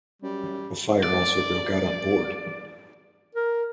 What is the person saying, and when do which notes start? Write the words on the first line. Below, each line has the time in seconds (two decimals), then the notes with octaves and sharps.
A fire also broke out on board.
0.22 F#2 G3
1.03 D5
3.35 A#4